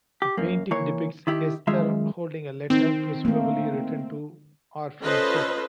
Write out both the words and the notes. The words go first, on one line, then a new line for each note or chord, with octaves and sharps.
The painting depicts Esther holding a letter, presumably written to or from Swift.
G4
F#2 A#3
E3 A#3 C#5
D#3 E4 G4
F#2 D#3 G#3 F4 E5
D#3 C4
A3 A#3
C#4 F4 A4 B4 C5 D#5